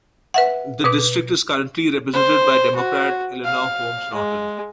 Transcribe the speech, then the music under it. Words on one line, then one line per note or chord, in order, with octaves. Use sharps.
The district is currently represented by Democrat Eleanor Holmes Norton.
B4 E5 F#5
B2 B4 D6
C5
F#4
F5
G#3